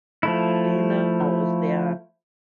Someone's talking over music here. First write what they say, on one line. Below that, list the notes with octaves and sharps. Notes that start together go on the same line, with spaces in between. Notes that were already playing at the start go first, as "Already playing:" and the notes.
she knows, yeah.
F3 A3 E4